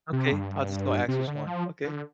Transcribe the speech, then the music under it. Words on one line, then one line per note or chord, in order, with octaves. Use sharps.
Okay, I was just gonna ask which one, okay.
C3
G2
C3
D3
F3
D3